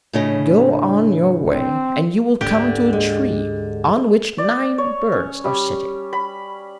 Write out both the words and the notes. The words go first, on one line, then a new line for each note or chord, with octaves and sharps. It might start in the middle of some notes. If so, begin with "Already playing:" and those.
Go on your way, and you will come to a tree, on which nine birds are sitting.
A2 C#3 D4 D#5
C4
D2 G#2 D3 A3 G4
G#3
D5
C#5
C#4
G3
B5